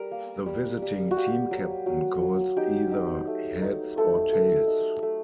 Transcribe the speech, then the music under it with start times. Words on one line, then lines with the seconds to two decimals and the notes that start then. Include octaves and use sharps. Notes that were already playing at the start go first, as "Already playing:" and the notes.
The visiting team captain calls either heads or tails.
Already playing: G3 A#4
0.11 A#3
0.46 G3
0.82 G3
1.11 F#4
1.17 A#3 G4
1.51 F#3
1.86 F#3
2.21 F#3
2.57 D#4 G4
2.91 D#4
3.27 A3
3.62 D#4
3.98 A3 A4
4.33 A3
4.67 D#4
5.03 A3